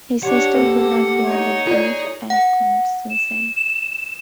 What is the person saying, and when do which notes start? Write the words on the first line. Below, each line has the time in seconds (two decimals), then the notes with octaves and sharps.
His sister could not bear the grief and commits suicide.
0.23 D4 G4 C#5 F#5
0.54 A#3 A4 B4
1.25 D#4 C#5
1.67 F4 G#4 D5
2.30 F#5
3.10 E7